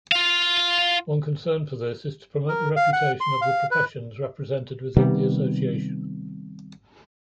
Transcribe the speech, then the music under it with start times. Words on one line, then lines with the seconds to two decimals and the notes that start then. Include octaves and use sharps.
One concern for this is to promote the reputation of the professions represented within the association.
0.12 F4 F5
2.48 A#4
2.76 F5
2.93 F#5
3.21 C6
3.41 F5
3.71 B4
4.97 C3 D#3 G3 B3